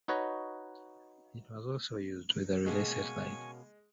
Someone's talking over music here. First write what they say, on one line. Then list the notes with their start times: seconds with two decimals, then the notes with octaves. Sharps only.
It was also used with the Relay satellite.
0.08 D#4 F#4 B4 C#5 D#5
2.66 B2 G#3 A#3 C#4 G#5 C#6